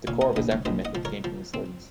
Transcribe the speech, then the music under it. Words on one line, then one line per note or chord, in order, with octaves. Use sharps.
The core of his acting method came from his studies.
A#2 C#5 F5
D#5 F#5
A#1 D#5 F#5
C#5 F5
A#1 C5 D#5
D#5 F#5
F3
A#4 C#5
F3
C4